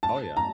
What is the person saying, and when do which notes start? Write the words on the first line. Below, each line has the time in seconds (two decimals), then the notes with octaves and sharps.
Oh, yeah.
0.03 A5
0.37 A#5